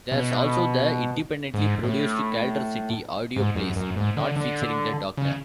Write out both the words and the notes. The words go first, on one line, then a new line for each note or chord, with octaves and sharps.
There's also the independently produced "Kaldor City" audio plays, not featuring the Doctor.
B2
G#2
A2
G#2
F#2
F#2
G#2
D3
D3
C#3